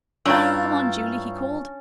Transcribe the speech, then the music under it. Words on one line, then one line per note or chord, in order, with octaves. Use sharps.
"Come on, Julie," he called.
G2 C#4 E4 F4 G5 A5 A#5 E6